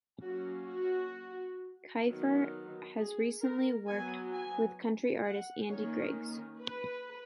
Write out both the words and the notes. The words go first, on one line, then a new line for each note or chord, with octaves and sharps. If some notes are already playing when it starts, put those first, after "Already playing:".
Keifer has recently worked with country artist Andy Griggs.
F#3 A#3 C#4 F#4
F#4
D#3 F#3 B3
G#4
A#4
F#3 B3 G#5
G#5
F#5
D#3 A#3 C#4 C#5
B4